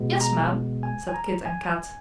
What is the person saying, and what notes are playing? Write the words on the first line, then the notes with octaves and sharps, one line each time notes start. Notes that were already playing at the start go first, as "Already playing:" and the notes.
"Yes, Ma'am," said Kit and Kat.
Already playing: B2 G#3 B3
A#5
G#5
G#5
A#5
G#5